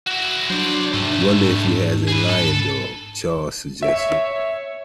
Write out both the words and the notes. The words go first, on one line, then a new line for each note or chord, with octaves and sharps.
Wonder if he's a lion dog, Charles suggested.
E4 F#4
F#3 D4 C5 D5
G#2 C3 A3
G#4 B4
A4
C#5 E5